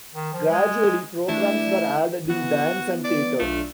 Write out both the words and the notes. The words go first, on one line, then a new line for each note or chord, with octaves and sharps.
Gradually programs were added in dance and theater.
D#3
F3
G#3
E3 A3 D4 E4
E3 B3 F#4
D5
B1 A3 D4 F4